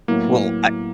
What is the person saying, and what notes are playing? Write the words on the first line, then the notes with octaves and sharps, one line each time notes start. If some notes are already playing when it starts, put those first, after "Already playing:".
Well, I
A2 F#3 A#3 B3 E4